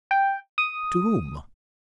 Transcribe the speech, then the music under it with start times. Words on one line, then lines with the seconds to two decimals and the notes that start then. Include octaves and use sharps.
"To whom?"
0.11 G5
0.58 D#6